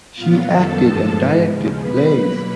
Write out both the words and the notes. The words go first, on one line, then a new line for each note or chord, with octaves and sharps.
She acted and directed plays.
A#2 F#3 B3 F4 F5
F#2 D#3 G3 B3 A4 A5
G2 D3 F3 G#3
G#2 E3 G#3 B3
D#2 C#3 F3 G#3
B2 G3 B3 B4 B5
B2 F#3 A#3